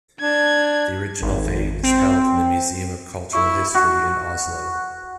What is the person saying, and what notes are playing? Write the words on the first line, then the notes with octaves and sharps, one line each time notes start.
The original vane is held in the Museum of Cultural History in Oslo.
D4 G#6
G#1
C4
E4 C#6
F#4